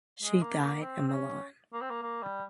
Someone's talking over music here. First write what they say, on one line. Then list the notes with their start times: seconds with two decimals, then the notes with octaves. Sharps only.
She died in Milan.
0.23 G#3
0.42 A#3
0.63 A#3
0.82 C4
1.08 C4
1.13 C#4
1.73 A#3
1.81 C4
1.90 A#3
2.02 A#3
2.22 G3